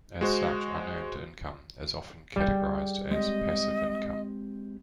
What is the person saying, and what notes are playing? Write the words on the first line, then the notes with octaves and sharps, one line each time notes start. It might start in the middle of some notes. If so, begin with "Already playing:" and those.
As such, unearned income is often categorized as "passive income".
G#3 F#4 C5
G3 G#4 G5
G#3 C4 G4 D#5